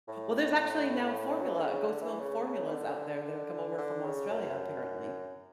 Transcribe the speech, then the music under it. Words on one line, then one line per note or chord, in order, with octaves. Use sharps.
Well, there's actually now formula goat's milk formulas out there that have come over from Australia, apparently,
A2
F#3
E3
D3
C#3
D3
E3
C#3
C#3
E3
D3
D3
C#3
F#2